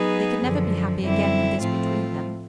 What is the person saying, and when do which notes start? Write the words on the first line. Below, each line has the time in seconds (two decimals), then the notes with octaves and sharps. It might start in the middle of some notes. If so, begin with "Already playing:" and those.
They could never be happy again with this between them.
Already playing: F#3 B3 D#4 G#4 B4
0.44 F#2 D3 F3
1.02 F#2 D3 G3 C4 E4
1.61 A2 F3 A3 C4 F4